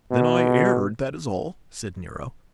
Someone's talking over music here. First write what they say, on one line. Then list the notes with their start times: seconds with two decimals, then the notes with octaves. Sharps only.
"Then I erred, that is all," said Nero.
0.11 B2